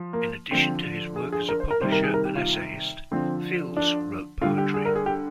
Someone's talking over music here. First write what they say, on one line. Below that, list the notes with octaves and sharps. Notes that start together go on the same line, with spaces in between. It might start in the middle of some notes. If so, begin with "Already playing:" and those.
In addition to his work as a publisher and essayist, Fields wrote poetry.
Already playing: F3
A#3
D3 F3 C4
G#4
G#4
A#4
C5
A#4
C3 D#3 G3 C5
A#4
G#4
A#4
G4
F4
D3 F3 C4
D4
D3 G3 F4
G4
G#4
A#4
G#4
G4